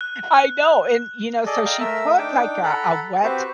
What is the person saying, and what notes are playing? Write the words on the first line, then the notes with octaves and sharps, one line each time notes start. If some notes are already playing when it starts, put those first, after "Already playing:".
I know. And, you know, so she put, like, a a wet,
F#6
G#4 A4 D5 D#5
D#5 F5 G5 A#5
A3 A#4 E5 E6
D4 D#4 G5 D6
A4 F#5 A#5 B5
C4 F#4 G4 B4 C5